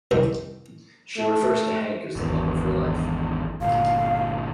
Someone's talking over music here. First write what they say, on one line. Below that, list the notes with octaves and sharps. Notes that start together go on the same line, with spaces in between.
She refers to Hank as the love of her life.
C2 F2 D#3
A3
G#1 E2
G1 A#2 F5